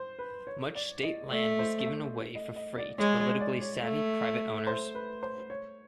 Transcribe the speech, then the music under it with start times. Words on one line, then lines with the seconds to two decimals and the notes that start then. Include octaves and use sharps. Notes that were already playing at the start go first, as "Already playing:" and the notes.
Much State land was given away for free to politically savvy private owners.
Already playing: C5
0.19 B4
0.47 C#5
0.75 D5
1.03 D#5
1.31 A3 D5
1.59 C5
1.86 E5
2.35 D#5
2.56 D#5
2.78 D5
2.99 G#3 C#5
3.20 C#5
3.40 D5
3.61 C#5
3.83 A3
4.67 C5
4.95 B4
5.23 C5
5.50 C#5